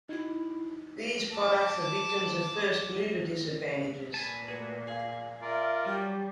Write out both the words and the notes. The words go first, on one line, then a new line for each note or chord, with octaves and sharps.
These products are victims of first-mover disadvantages.
D#4 E4 F#4
A5 D6
A#2 B4 G#5 A5
A3 F#4 G#4 B4
G#4 F5
F4 A#4 D5 E5
F#3 G3 G4